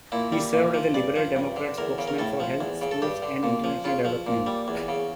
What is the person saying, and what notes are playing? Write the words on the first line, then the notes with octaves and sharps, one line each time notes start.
He served as a Liberal Democrat spokesman for Health, Schools and International Development.
A#2 E4
G3
A#2
F3
G2 D5
F3
G2
D3
E2 A#4
C#3
A#4
A2 A4
F3
E2
C#3
A4
G2 G4
D3
A#2
F3
C#3 F4
F3
A#2
G3
E2
C#3